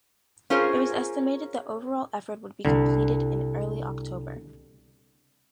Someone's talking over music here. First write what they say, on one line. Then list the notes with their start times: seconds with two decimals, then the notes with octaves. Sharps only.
It was estimated the overall effort would be completed in early October.
0.50 C#4 F4 G#4 A#4 C5 C#5
2.65 C2 D3